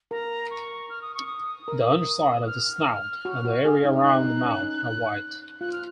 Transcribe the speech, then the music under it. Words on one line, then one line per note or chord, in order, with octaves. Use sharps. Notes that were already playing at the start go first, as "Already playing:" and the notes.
The underside of the snout and the area around the mouth are white.
A#4 A#5
C#6
F6
D#6
C#6
D#6
A#4
F#6
F6
F#4
F#4
G#4
D#4
D#4 F#6
D#4
C#4
D#4
F4 F#6
F6